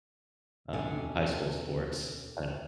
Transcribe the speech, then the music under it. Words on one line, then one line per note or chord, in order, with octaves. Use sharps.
um, high school sports and
B2 C#4 D4 A4 G5 G#5